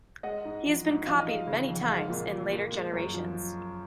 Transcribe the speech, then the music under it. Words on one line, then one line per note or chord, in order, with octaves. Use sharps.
He has been copied many times in later generations.
G#3 D#5 F#5
G#2
F3
G#2
F3 F5
D#5
G#3 F5
C#3
F2
F#5
G#3 F5
A#2
F3
A#2
G#3
F#2
F3